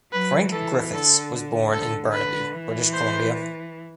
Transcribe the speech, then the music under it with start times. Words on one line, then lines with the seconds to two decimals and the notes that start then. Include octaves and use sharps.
Frank Griffiths was born in Burnaby, British Columbia.
0.12 F#3 B4
0.52 E3 A4
0.93 D3 A4
1.73 D3 A4
2.13 B4
2.54 E3
2.93 C5